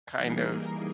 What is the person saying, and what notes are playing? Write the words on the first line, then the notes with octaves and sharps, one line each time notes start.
kind of
E3 G3 A#3 D#4 G#4 A#4